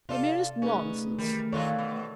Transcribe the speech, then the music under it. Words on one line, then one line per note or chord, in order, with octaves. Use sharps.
'The merest nonsense.'
C3 F4 A4 D5 F5
A3 C#4 D#4 G#4 B4
D#3 E3 G3 A#4
D#3 F4 F#4 A4 C#5 D5
B2